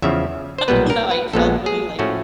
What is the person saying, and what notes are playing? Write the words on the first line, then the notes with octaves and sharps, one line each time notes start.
I don't know, I felt really, like
E2 C#3 F3 E5
C5
B1 A#2 G3 B3 B4
A#4
B4
A#1 A#2 F3 G#3 B3 A4
G#4
A2 F3 A3 C#4 F#4